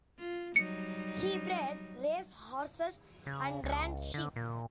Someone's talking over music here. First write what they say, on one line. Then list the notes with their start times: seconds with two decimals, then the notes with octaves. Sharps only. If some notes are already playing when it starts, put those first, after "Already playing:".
He bred racehorses and ran sheep.
0.19 F4
0.56 F#3 G3 D#4 C#7
3.26 C#3
3.64 C#2
4.14 D3
4.36 A#2